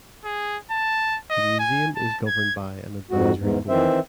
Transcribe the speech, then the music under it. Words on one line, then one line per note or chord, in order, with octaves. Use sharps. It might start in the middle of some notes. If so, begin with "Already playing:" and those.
The museum is governed by an advisory board.
G#4
A5
D#5
G#5
A5
G#6
F2 G#2 F#4
E2 G#2
D#3 E3 C4 C5 E5